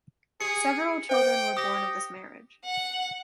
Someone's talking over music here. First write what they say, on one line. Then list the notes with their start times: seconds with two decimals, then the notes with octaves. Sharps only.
Several children were born of this marriage.
0.41 G4 G#4 C#7
1.09 C5 E5 G5 D6
1.57 G4 D#6 A#6
2.65 F#5